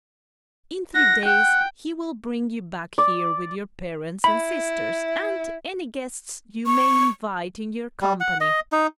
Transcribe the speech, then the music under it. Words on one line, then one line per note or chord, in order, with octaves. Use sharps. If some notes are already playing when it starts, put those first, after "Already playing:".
In three days he will bring you back here, with your parents and sisters, and any guests you may invite, in your company.
F#5 A#6
F#5 G5
D5
E4 B5
C#6
G3
F#5
D#5
D#4